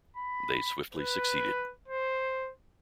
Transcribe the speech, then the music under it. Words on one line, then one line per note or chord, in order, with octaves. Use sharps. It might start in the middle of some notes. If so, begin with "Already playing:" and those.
They swiftly succeeded.
B5
B4
C5